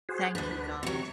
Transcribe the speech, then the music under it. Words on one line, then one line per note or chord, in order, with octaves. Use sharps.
Thank you God.
F#4 G#4 C5
D2 D4 B4
C3 F#3 C#6